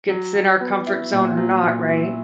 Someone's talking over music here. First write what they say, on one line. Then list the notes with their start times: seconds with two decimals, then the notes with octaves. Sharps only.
gets in our comfort zone or not, right?
0.09 F#3
0.34 F#3
0.61 B3
0.87 E4
1.12 A#2
1.37 F#3
1.64 A#2
1.89 E4